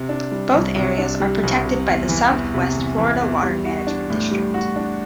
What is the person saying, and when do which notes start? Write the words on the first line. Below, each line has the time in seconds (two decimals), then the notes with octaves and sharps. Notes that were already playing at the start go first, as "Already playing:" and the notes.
Both areas are protected by the Southwest Florida Water Management District.
Already playing: C3
0.09 D4
0.31 G3
0.54 C2
0.76 C3
0.98 D4
1.20 G3
1.43 C2
1.65 C3
1.87 E2
2.09 E3
2.32 E2
2.54 C3
2.76 E2
2.98 E3
3.21 E2
3.43 G3
3.66 F#4
3.87 D4
4.10 A2
4.31 G3
4.54 F#4
4.76 D4